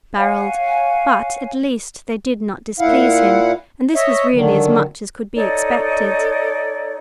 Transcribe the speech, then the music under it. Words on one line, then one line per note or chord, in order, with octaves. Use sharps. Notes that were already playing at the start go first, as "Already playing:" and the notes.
Barold, but, at least, they did not displease him; and this was really as much as could be expected.
C#5 F5 F#5 G#5
A#2 E4 F5 F#5
C#5 D#5 E5
D3 D#3 F#3
D#4 A4 C#5 D5